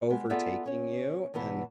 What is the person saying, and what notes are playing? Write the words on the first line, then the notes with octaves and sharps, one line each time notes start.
overtaking you, and
G3 G#3 B3
B3 F4 G#4 A4 D5 E5
C#4 C#5
E2 B2 E3 B3